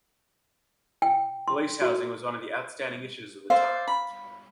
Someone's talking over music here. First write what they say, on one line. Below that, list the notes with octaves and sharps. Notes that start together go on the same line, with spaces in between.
Police housing was one of the outstanding issues of the time.
G5
C6
F#4
C5 D5 E5 F5
B5